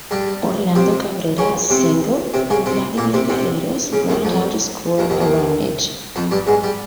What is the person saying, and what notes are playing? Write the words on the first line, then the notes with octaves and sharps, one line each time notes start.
Orlando Cabrera's single and Vladimir Guerrero's groundout scored a run each.
G2 G3
C3 C4
C#3 C#4
C3 C4
C3 C4
C#3 C#4
C3 C4
A#2 A#3
C3 C4
C3 C4
C#3
D#2 D#3
F2 F3
D#2 D#3
D#2 D#3
D#2 D#3
F2 F3
G2 G3
G#2 G#3
G3